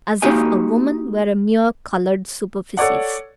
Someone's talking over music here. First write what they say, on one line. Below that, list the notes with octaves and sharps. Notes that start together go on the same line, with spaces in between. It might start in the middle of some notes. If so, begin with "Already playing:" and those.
As if a woman were a mere colored superficies!
A#3 D#4 F#4 G4 D#5 G#5
A4 C#5 D5 F#5